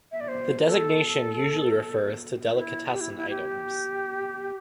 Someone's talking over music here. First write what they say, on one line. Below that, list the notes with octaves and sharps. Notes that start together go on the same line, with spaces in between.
The designation usually refers to delicatessen items.
E5
D5
C5
A4
E4
G4
E4
E4
G4